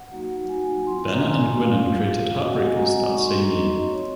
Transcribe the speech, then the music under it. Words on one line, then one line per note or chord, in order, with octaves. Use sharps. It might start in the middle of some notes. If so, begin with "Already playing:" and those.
Bennett and Guinan created "Heartbreakers" that same year.
Already playing: F#5
F#3 A#3 D#4 F#4
F#3 A#3 D#4 F#4 G#5
C4 F4 C6
C6
A#5
C4 F4 G#5
A#3 F4 F5
A#3 F4
G#3 C4 F#4 D#5
F#5
G#5
G#3 C4 F#4 A#5
A#3 D#4 F#4 C#6
C6
A#5
A#3 D#4 F#4 D#5
C4 F4 C#5